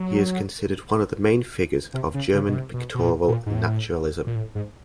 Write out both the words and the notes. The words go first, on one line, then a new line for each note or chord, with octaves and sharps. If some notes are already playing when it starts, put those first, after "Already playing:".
He is considered one of the main figures of German pictorial naturalism.
Already playing: F#3
C3
C#3
C#3
B2
C3
B2
B2
A#2
A#2
G#2
A2
A#2
A2
G#2